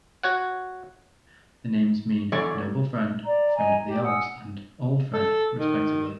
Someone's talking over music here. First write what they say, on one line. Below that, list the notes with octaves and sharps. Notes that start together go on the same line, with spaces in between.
The names mean "noble friend", "friend of the elves", and "old friend" respectively.
F#4 C#5 F#5
E2 D3 F#3 C#5 D5
D5 A#5
D#5 G#5 A#5
G4
F#5 G#5 D#6 E6
A4
D#3